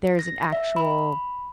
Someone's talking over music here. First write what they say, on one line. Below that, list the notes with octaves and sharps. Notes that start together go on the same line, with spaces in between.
there's an actual
A#6
E5
B5